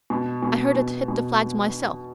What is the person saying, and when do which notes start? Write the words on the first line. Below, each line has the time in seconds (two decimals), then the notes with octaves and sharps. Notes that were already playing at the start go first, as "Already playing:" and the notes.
I heard it hit the flags myself.
0.10 B2
0.43 B2
0.75 B2
1.08 B2